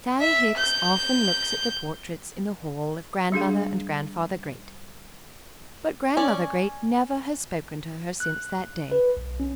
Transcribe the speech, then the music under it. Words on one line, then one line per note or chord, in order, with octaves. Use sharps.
Sallie Hicks often looks at the portraits in the hall of Grandmother and Grandfather Great, but Grandmother Great never has spoken to her since that day.
E5
G6
G3 D4 G#4 F5
C#4 D5 G#5
F#6
B4
B1
C#4